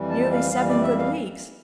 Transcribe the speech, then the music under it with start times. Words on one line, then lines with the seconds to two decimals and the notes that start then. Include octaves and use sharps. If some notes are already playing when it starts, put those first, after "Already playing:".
"Nearly seven good leagues."
Already playing: F2 E3 G3
0.10 A5
0.31 F5
0.50 F2 E3 G3 F5
0.67 D5
0.82 E5
0.97 F5